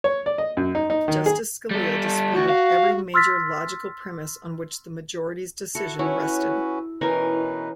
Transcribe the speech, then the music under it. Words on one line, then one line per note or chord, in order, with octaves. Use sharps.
Justice Scalia disputed every major logical premise on which the majority's decision rested.
C#5
D5
D#5
F#2
D#4
D#4
D#3
G#4
G3 A4
D2 F#4
F5
C6 E6 F6 A6 B6
E4 F#4 A4
C#4 E4 F#4 B4 C#5
B2 E3 C#4 D#4 A#4 B4 G#5